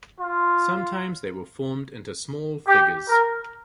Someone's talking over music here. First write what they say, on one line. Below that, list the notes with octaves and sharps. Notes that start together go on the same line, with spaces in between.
Sometimes they were formed into small figures.
F4
G4
A#4